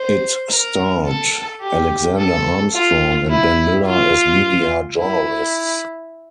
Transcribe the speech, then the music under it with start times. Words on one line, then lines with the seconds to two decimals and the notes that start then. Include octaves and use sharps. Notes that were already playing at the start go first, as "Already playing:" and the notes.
It starred Alexander Armstrong and Ben Miller as media journalists.
Already playing: C5
0.50 A#4
1.05 A4
1.61 G4
2.17 A4
2.73 F4
3.29 E4
3.86 F4
4.98 E4